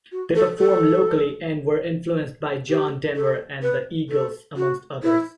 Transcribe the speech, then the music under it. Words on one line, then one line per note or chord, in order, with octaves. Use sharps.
They performed locally and were influenced by John Denver and The Eagles, amongst others.
F#4
A4
A4
G4
A4
B4
A4
F#4
E4